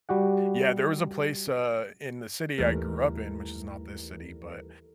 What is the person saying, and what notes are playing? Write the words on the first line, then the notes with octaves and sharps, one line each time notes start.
Yeah. There was a place, uh, in the city I grew up in, which is not this city, but,
G3 F#4 G4 F#5
D#2 E3 G3 A3 A#4